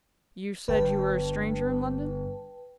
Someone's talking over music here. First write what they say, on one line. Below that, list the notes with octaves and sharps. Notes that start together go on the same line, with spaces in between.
'You said you were a stranger in London?'
G1 G2 B4 G5 A5